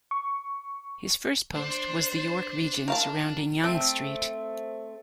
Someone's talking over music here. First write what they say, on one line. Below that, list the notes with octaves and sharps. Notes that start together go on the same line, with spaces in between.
His first post was the York region surrounding Yonge Street.
C#6
D4 C5
A#4 F5 A5
A3 C4